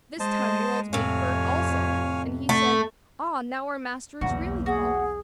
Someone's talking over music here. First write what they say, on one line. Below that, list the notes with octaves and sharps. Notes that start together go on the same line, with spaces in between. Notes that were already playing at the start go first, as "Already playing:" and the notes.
This time World's-weight heard also, and he said, 'Ah, now our master is really calling.'
G#3 C5 D#5 A5
F2 A2 C3 C#5 F5 G#5
A3
B1 E2 A#3 F#4
F#4 G#4